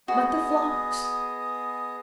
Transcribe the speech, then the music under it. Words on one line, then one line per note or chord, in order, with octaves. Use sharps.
"But the flocks!"
B3 F#4 G#4 D#5